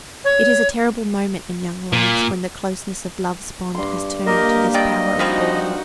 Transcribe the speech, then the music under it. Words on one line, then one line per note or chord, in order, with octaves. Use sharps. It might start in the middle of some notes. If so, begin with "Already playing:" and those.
It is a terrible moment in young lives when the closeness of love's bond has turned to this power of galling.
C#5
A#2
G2 C6
A#3 G4 A#4 D#5
G2 D5 D#5 G5
F3 G3 C4 D#4 F#4